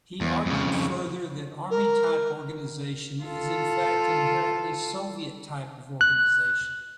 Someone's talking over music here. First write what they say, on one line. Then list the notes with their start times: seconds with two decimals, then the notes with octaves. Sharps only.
He argued further that "army-type organization is in fact inherently Soviet type of organization".
0.21 E2
0.46 F2 C#3
1.70 A#4
3.24 F4 A4
6.01 F#6